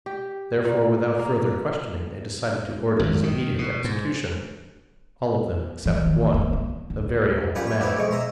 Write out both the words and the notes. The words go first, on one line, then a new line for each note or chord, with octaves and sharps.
Therefore, without further questioning, they decided to order his immediate execution,--all of them except one, a very old man.
G4
A#2
A#3
G#1
D#3
B2
G#2
E3
D#3
A#3
A#3
D2
F#2 G3 F4 F#5 G#5 B5
E4 C#5
A3 B3 C4 D4 E4 G4
B1 F2 G#3 C#6
D#5 E5 A#5 C6